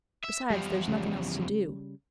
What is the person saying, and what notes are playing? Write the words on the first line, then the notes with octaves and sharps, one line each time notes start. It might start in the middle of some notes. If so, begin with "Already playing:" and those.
Besides, there is nothing else to do.
E5
E2 F3 G3
C#3 G3